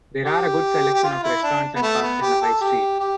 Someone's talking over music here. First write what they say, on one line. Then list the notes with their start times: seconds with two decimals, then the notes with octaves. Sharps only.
There are a good selection of restaurants and pubs in the High Street.
0.25 G4
0.94 G4
1.04 F4
1.23 E4
1.43 D4
1.76 B3
1.82 A3
2.02 B3
2.22 G4
2.42 A4
2.61 G4
3.00 G4